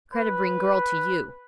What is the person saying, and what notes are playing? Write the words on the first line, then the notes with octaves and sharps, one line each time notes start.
Kreta bring girl to you.
B4